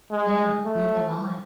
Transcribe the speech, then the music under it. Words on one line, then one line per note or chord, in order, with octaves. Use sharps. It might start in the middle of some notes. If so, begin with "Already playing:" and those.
Yeah, neither have I.
G#3
A3